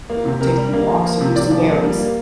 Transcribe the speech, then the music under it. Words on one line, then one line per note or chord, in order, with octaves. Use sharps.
you know, take some walks or do some errands.
A#3
C3
C3 A#4
G3
A#3
F3
A#3
C3
C3 D5
F3
A#3
G3
A#3